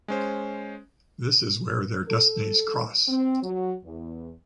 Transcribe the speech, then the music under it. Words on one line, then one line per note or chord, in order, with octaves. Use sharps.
This is where their destinies cross.
G#3 C#4 C5
A4
C4
F#3
E2